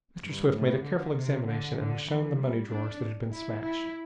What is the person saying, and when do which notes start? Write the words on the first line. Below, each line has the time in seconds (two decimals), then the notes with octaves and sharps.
Mr. Swift made a careful examination, and was shown the money drawers that had been smashed.
0.24 G2
0.54 A2
0.85 D3
1.16 C3
1.46 D3
1.77 D3
2.08 E3
2.38 G3
2.70 D4
3.30 E4
3.62 E4